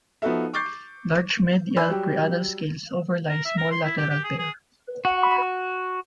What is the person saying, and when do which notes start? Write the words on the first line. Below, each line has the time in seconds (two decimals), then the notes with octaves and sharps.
Large medial preanal scales overlie small lateral pair.
0.22 F3 B3 D#4 F#4 A4 E5
0.54 C#6 D6 G6 A6 C7
1.76 C5 D5 G#5 B5 E6 F#6
1.89 F#3 G3 G4
3.29 A#4
3.45 E5
3.57 A#4
3.71 C6
3.84 E4
3.97 G4
4.10 G4
4.24 G#4
4.39 G#4
5.05 F#4